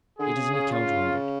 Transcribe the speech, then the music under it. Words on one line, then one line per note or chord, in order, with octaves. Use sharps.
It is an account rendered.
D3 G#4
C#3
C#3
F4